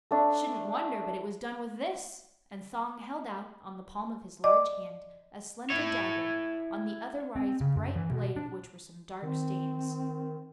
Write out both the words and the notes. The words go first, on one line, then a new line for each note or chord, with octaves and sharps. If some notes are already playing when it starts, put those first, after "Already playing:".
"Shouldn't wonder but it was done with this!" and Thong held out, on the palm of his large hand, a slender dagger, on the otherwise bright blade of which were some dark stains.
A3 D4
D5 D#5 D6
E4 C#5
C4
C#3
F#2
E3
B2
D4
D#3 C4